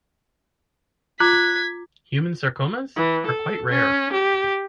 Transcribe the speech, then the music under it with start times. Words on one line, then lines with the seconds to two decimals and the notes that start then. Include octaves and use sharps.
Human sarcomas are quite rare.
1.20 F4 A#5 D6 F#6 G#6 B6
2.96 E3
3.27 A4
3.71 C#4
4.12 G4